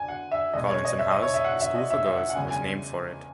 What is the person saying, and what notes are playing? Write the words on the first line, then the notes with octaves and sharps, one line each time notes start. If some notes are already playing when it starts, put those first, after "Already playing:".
Collinson House, a school for girls, was named for it.
Already playing: G#5
F#5
E5
E2 B2 G#3 D#5
C#5
D#5
E5
D#5
C#5
E5
F#5
E5
D#5
E5
E5
F#5
F#5
E2 C#3 G#3 G#5
G#5